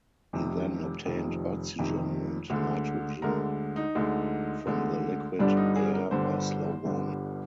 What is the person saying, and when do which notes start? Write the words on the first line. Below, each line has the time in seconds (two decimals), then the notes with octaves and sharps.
He then obtained oxygen and nitrogen from the liquid air by slow warming.
0.33 F1 F2 C3 D#3
1.05 F1 F2 C3 D#3
1.78 F1 F2 C3 D#3
2.50 D2 D3 G#3
3.22 D2 D3 G#3 A#4
3.76 D#4
3.95 D2 D3 G#3
4.67 D2 D3 G#3
5.39 G1 G2 D3 G3 D4
5.57 D#4
5.76 G#4
5.94 A#4
6.11 G1 G2 D3 G3 C5
6.84 G1 G2 D3 G3